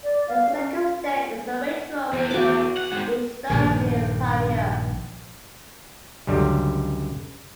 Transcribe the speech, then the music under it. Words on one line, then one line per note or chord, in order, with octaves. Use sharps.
The second stem is the Waitoa River, which starts near Piarere.
D5
F5
C#4
F4
E2
F#4 D6
F#5
G#2 C4
A#1 G2 D#3
C#2 F#2 D3 G3